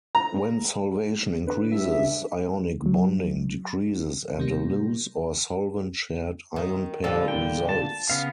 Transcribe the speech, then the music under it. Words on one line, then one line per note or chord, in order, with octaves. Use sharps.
When solvation increases, ionic bonding decreases and a "loose" or "solvent-shared" ion pair results.
A#5
D3 B4
G2 E5
F#3
C3 G3 A#3
D#3
A#2 D3 G3 A4
G5
A5
C#3 B3 F5